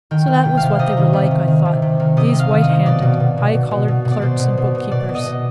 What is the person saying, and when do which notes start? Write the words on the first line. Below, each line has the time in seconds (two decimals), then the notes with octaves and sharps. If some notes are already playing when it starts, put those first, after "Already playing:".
So that was what they were like, I thought, these white-handed, high-collared clerks and bookkeepers!
0.11 D#3 G5
0.28 D#3
0.34 G5
0.45 C3
0.57 F5
0.63 C3
0.79 C3 D#5
0.97 D#3
1.13 C3
1.31 C3
1.48 D#3
1.65 C3
1.82 C3
2.00 D#3
2.17 C3 D#5
2.34 C3
2.40 F5
2.51 D#3
2.62 D#5
2.68 D#3
2.86 B2 D5
3.02 B2
3.20 B2
3.38 B2
3.54 B2
3.71 B2
3.88 B2
4.05 B2
4.11 D5
4.22 B2 C5
4.39 B2
4.58 B2
4.75 B2
4.91 B2 D5
5.09 B2
5.15 D#5
5.26 B2